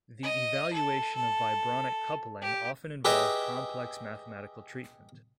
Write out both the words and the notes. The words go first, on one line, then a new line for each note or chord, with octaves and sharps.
The evaluation of vibronic coupling often involve complex mathematical treatment.
D#5
A4
A4
G4
G4 G#4 B4 D#5 E5 G5